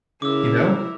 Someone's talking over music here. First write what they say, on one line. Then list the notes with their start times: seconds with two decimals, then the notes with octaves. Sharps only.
You know?
0.22 C#3 E4 A#4 D6 E6